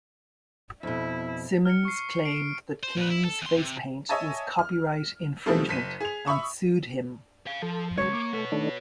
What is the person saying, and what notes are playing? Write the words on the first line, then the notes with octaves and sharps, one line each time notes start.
Simmons claimed that King's face paint was copyright infringement and sued him.
F2 B2 E4
F6 C#7
C#6 C7
C7 D7
C5
A#2 B4
E4
A4
E2 C6
C3
C#5 D#5 E5 G#5 A5
F6
B2 D#3 F3 G3 A3 C4
F#1 B6 D#7
G#4 F7
E5 B5 C#6 D#6
C#5 F5
F3 A4
C#3 F#3 G#3 C#5
A#3 D6
A3 F#4 B4
D#3 A3 D4